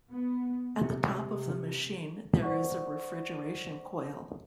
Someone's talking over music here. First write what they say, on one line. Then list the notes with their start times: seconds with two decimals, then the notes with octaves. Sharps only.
At the top of the machine there is a refrigeration coil.
0.10 B3
0.76 C3
1.24 C3
2.42 C5 D5 F#5 C#6